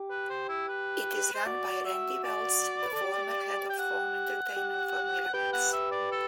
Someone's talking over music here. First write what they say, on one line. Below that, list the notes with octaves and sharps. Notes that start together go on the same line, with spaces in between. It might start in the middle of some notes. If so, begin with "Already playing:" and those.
It is run by Randy Wells, the former head of home entertainment for Miramax.
Already playing: G4
B4
C5
E4
B4
C5
F#4 D5
E5
D5
B4
A4
G4
G5
F#5
G4
G4 B4 G5
F#5
E5
D5
A4